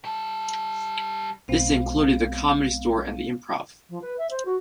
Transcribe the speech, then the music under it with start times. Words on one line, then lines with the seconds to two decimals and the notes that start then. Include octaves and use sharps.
This included The Comedy Store and The Improv.
0.05 G3 A4
1.48 B1 G#3 B3 C4 F5
3.89 F3
4.02 B4
4.18 E5
4.30 C5
4.45 F#4